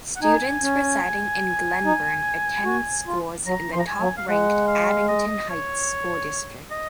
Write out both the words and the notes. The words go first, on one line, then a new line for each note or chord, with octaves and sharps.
Students residing in Glenburn attend schools in the top-ranked Abington Heights School District.
F#5
D#4 G#5
C#4
D#4
F#4
F4
F#3 A#5
F3 C6
A#5
G#5
F#3
F5
G#3 F#5
F5
D#5
C#5
D#5